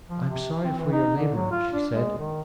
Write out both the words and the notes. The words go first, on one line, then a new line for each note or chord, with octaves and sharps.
"I am sorry for your labor," she said.
F3
C3
C4
E3
D#4
D3
F#3
F4
D4
G#3
D#3